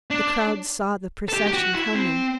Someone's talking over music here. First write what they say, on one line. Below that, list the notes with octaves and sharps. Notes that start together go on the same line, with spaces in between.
The crowds saw the procession coming.
D4
A4
G4
G4
F#4
E4
C4